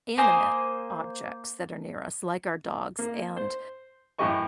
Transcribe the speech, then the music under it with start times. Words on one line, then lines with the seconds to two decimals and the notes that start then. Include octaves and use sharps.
animate objects that are near us like our dogs, and
0.17 A#3 C5 G#5 D#6
2.99 A#3
3.37 C5
4.18 F#2 A2 E3 G4 D#5 C#6